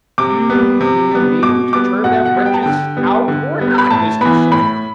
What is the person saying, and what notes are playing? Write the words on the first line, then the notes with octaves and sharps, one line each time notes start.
'DO you mean to turn them wretches out, or not, Mr. Sawyer?'
C3 D6
G3 B3
C3
G3 B3
B2 D6
G3 B3 D6
B2 F#5
F#5
G3 B3
G5
A5
D3 G5
G3 B3
D3
G3 B3
B5
A2 A5
E3 B3 B5
A2 B5